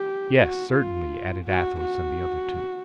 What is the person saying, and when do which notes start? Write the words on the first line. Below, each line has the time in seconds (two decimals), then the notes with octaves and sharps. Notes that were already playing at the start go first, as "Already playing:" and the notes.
"Yes, certainly," added Athos and the other two.
Already playing: G4
0.38 F#4
0.74 F4
1.46 F#4
1.81 F#4